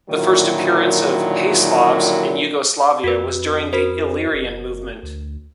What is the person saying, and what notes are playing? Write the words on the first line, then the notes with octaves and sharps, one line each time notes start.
The first appearance of "Hey, Slavs" in Yugoslavia was during the Illyrian movement.
A#2 D3 D#3 F#3 G3 E4
F2 F#4 B4
F#4 A#4 C5
F#1
D2